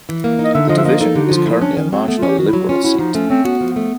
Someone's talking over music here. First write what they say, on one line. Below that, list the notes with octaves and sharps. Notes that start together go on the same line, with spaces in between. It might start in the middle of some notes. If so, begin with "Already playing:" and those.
The division is currently a marginal Liberal seat.
E3
A#3
D#4
D#5
D3 E5
F3 D#5
E5
A#3 D#5
D#4 A4
D3 G4
F#4
F3 F4
A3 E4
C#4 D4
D#3 C#4
F#3 C4
C4
A3 B3
F4
C#4
G4
D#3 F#4
E4
F#3
C#4 F4
E4 F#4
F3 D#4
A3 C#4
C4 C#4
B3 F#4
F3
A3